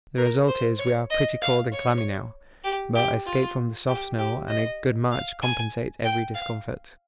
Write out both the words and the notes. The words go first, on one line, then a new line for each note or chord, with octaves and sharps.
The result is we are pretty cold and clammy now, but escape from the soft snow and a good march compensate every discomfort.
A#4
C5
C#5
D#5
F5
C#5
G4
G4
F4
G4
G4
D#5
F5
G#5
G5
F5